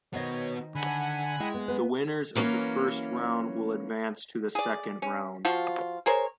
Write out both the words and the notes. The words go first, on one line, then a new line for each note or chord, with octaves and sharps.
The winners of the first round will advance to the second round.
D#3 B3 F#4 C5 C#5 D#5
D3 F#5 G#5 B5
G#3 E4 D#5 G5
B3
B3 B4
E3 F#3 A#3 C#4
G#4 D5
C#4
F3 F4 F#4
G#4 A#4 C5 C#5